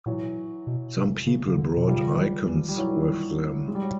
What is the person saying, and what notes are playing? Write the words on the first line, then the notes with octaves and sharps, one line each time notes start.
Some people brought icons with them.
A#2 E3 F#3
B2
C3
C#3
C#3
D3
B2
C3 F3 G3
C#3
D3
D#3
E3
G3
E3 F#3
G#3
G3
F#3